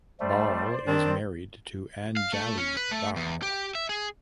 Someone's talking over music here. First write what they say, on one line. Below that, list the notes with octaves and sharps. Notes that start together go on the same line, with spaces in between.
Bahl is married to Anjali Bahl.
G3 A3 C5 D5
D#3 C4 D4
F5
A3
C#4
B4
A3
E2
G4
E5
G#4